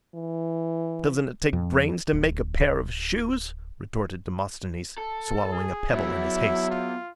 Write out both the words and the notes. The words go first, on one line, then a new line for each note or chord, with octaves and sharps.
"Doesn't it take brains to make a pair of shoes?" retorted Demosthenes, swallowing a pebble in his haste.
E3
F2
D1
A4
G#4
F#3 B3 E4 G#4 E5
F4